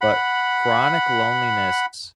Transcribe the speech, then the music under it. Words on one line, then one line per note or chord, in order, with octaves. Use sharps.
But chronic loneliness
F#5 B5